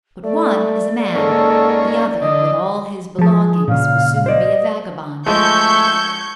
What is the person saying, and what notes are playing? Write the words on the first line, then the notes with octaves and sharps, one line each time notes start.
But one is a man--the other, with all his belongings, will soon be a vagabond.
A3 D5
G#2 A#3 C#4 A4
D3 D#5
F3 G#4 A5
A#2 C#3 F5
C5 D5 D#5
F3 G#3 A3 C#6 E6 G6 G#6